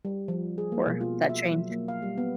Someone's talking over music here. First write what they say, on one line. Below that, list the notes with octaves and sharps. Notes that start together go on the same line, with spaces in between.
For that change.
G3
F3
G#4
A#3
B2
F4
E5
F#3
A#3
F5
G3
B3